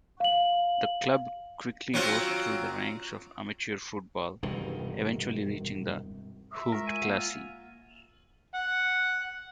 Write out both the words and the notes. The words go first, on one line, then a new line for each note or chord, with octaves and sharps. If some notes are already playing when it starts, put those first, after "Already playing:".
The club quickly rose through the ranks of amateur football, eventually reaching the Hoofdklasse.
F5 F#7
F#3 C4 F4
E1 G2 C3 D#3
E5
G#3 F4 A#4
G#5
A#3 F#5
F4
F#5